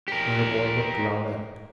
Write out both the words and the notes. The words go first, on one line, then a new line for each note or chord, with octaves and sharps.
Winterborne looked round at it.
G4 A#4